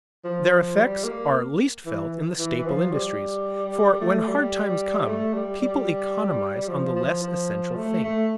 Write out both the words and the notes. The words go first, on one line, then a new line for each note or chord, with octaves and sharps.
Their effects are least felt in the staple industries, for when hard times come, people economize on the less essential things.
F3
G3
A#3
E3
E3
E3
F3
G3
A3
G3
A3
G3
G3
F3
F3
F3
A3
A3